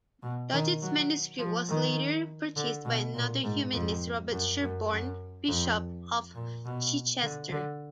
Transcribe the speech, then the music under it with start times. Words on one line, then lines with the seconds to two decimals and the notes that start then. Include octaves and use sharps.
Doget's manuscript was later purchased by another humanist, Robert Sherborn, Bishop of Chichester.
0.23 B2
0.52 D#3
0.81 F#3
1.39 F3
1.69 D#3
2.56 D3
2.85 B2
3.14 A#2
3.44 G#2
3.73 F2
4.31 F#2
4.61 F#2
4.90 F#2
5.48 F2
6.35 A#2
6.65 B2
7.22 D3
7.52 D3